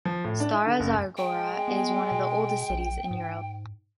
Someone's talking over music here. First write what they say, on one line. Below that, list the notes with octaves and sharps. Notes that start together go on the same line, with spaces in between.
Stara Zagora is one of the oldest cities in Europe.
F3
A2
D4
E4
D3
F#1
G#3 G5
B3
B2
A#1
G#2